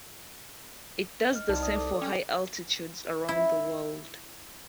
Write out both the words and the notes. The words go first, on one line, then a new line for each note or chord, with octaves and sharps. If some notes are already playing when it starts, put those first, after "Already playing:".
It does the same for high altitudes around the world.
D#5 F6
C2 D#4 D5 A5
D5 D#6
A4 D6
C#4 G5
E4